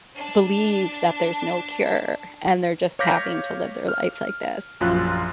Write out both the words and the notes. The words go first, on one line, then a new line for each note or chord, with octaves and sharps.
believe that there's no cure and they're just having to live their life like this.
D4 A5
C#5 F5 D6 G6 A#6 B6
F6
A#1 F#2 F4 F#6